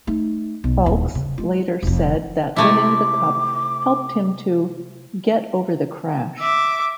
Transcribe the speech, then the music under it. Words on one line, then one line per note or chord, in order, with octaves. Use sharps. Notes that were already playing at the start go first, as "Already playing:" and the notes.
Foulkes later said that winning the Cup helped him to "get over the crash".
A3 D#4
B1
D#1
C#3
G#3 F4
F1 F2
C3 A3 E4 D6
E5 D6